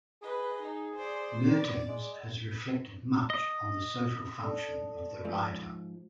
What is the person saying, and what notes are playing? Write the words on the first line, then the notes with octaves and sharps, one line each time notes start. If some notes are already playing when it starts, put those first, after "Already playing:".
Mertens has reflected much on the social function of the writer.
G#4 B4 D#5
D#4
C5 D5
D5
G#3
D#5
A4 D5 A5
G#2 F3